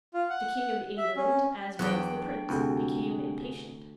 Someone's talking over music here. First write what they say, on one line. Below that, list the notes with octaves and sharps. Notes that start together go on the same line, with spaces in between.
The king of England, as well as the prince, became impatient.
F4
F#5
E5
C#4
E2 F#3 D4 F#5 G5
D2 C3 F#4 G#4